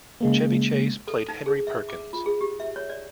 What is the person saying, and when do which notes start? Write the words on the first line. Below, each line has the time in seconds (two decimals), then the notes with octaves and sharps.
Chevy Chase played Henry Perkins.
0.21 C#3 G#3 A#3
1.08 A4
1.28 D#4
1.46 G#4
1.67 E5
1.89 D6
2.13 F4
2.26 G#4
2.41 G4
2.60 E5
2.76 C#5
2.90 D5